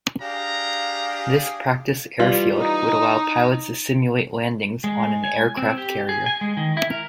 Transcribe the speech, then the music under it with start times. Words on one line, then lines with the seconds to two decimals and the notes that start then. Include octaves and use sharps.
This practice airfield would allow pilots to simulate landings on an aircraft carrier.
0.21 D4 G4 G#4 F5 A#5
2.19 E3 G3 F4
2.57 D#4
4.84 G#3
5.24 G#5
5.57 C4
5.78 G4
6.09 G#4
6.26 G#5
6.41 G#3
6.57 D#3
6.77 E4
6.91 A#4